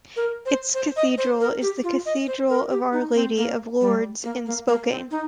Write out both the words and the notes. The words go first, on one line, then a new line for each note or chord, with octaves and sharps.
Its cathedral is the Cathedral of Our Lady of Lourdes in Spokane.
A#4
C5
C5
D#5
C5
A#4
G4
F4
D#5
C5
A#4
G4
D#4
C4
A#3
G3
A#3
A#3
A#3
C4
D#4